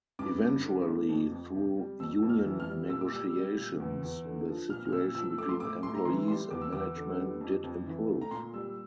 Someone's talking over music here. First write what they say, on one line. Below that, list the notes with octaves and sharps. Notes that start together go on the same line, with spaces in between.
Eventually, through union negotiations, the situation between employees and management did improve.
G2 D6
G2
D3
A3
F2
F2
C3
G3
F2 E6
F2
F6
E3
F6
G3
A#2 E6
D6
G3 E6
G3
A#2
E2
E2
D3
F3
A#2 F6
F6
A#2 E6
F3 E6
A3 D6
C6
A2 D6
A2 C6
A#5
E3 C6
G3 C6
E2 D6
E6
E2 D6
D3
G3
F2
F2
E3
A3
A#5
A#2 C6
G3 E6